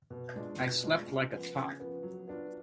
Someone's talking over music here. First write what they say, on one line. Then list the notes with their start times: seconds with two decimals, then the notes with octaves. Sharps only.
I slept like a top.
0.10 B2
0.36 G#3 D4 F4
0.60 B2
0.83 G#3 D4 F4
1.08 C#3
1.31 F3 B3
1.56 C#3
1.80 F3 B3
2.03 F#3
2.28 B3 D4 F4